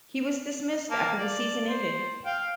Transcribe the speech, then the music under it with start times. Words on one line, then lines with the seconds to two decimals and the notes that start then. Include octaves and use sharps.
He was dismissed after the season ended.
0.91 A#3 A5
1.17 D5
1.68 C5
2.26 F5 G5